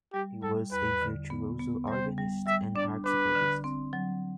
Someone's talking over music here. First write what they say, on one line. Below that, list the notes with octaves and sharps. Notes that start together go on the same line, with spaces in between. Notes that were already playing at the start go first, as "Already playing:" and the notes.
He was a virtuoso organist and harpsichordist.
G3 G4
G3 A4
E2 B4
D3
B3
B3
G3 C5
G3
G3 E5
D4 D5
D4 B4
D3
C4
F#3